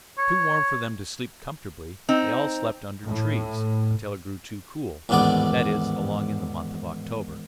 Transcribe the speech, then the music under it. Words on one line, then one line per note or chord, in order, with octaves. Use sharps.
When it was too warm for them to sleep comfortably, they all slept under trees until it grew too cool, that is along in the month of October.
C#5
C4 D#4
A2
A1 D#2 G#2 B3 D4 D5